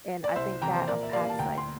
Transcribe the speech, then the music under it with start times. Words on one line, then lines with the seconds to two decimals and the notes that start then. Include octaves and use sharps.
And I think that unpacks, like,
0.24 D5
0.36 C2 C5 E5
0.61 C3 E3 G5 A#5
0.76 C5
0.88 A#2 A#4 D5
1.03 E5
1.13 G3 A#3 D5 F5
1.29 A5
1.39 D2 G5 A#5
1.58 C6